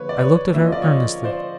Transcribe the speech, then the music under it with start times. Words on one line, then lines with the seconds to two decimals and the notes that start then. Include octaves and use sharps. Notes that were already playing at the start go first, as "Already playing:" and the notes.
I looked at her earnestly.
Already playing: D3 F3 A#3 B4 C#5
0.09 D5
0.19 B4 C#5
0.54 F3 A#3 C#4 F4 E5
0.64 D#5
0.72 D5
0.82 C#5 D#5
1.24 C5 D5